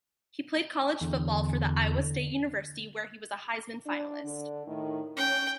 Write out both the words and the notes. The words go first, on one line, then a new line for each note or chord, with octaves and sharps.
He played college football for Iowa State University where he was a Heisman finalist.
E2 D3
D4
D3
A2 D#3
C#4 G5